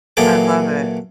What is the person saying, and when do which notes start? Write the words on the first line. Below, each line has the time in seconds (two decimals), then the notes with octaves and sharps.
I love it.
0.17 A#2 E3 F#3 G#4 A4 D6